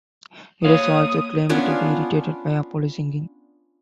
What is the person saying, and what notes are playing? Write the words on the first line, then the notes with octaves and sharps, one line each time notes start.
Eros also claimed to be irritated by Apollo's singing.
A#3 C#5 F5 D#6
B3 C#4 D4 F4